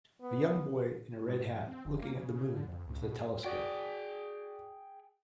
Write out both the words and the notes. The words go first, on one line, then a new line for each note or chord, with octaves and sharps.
A young boy in a red hat looking at the moon with a telescope.
B3
G#2
A2
F3
C4
F1
A#3
C#3
C#3
D3
F2
C#2
B2
F#4 G#4 D5 G5